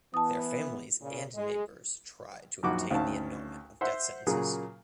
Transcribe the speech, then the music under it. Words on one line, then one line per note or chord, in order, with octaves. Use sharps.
Their families and neighbors try to obtain the annulment of death sentences.
E3 B3 A5 D#6
A#2 C#3
G#3
A#1 F#2 D#3 F#4 D6
D2 D#3 C#4 F5 A5
C5 E5 F#5 C6
A#2 C#3 F#3 A#3 G#4